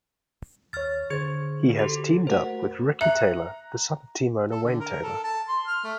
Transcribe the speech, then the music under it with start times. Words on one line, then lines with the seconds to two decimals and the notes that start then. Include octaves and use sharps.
He has teamed up with Ricky Taylor, the son of team owner Wayne Taylor.
0.73 D#2 C#5 F6 A6
1.10 D3 G#4 C5 G#6
1.77 F#4 G4 A4
2.27 A3 F#4 A#4 C5 F#5
3.01 E5 A#5 F#6
4.51 A4
4.63 D3
4.80 A#4
5.03 A4
5.24 A5
5.48 C6
5.67 F6
5.84 A3